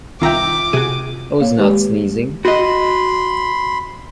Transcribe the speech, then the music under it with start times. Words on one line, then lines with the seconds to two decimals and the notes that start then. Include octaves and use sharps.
I was not sneezing.
0.21 C2 D#3 F4 E5 G5 A#5 D6
0.73 C3 F#4 G#4 D#7
1.40 A#3 C#5 F5
1.59 D#3 G#3 G4 B4
2.45 F#4 D#5 B5 C6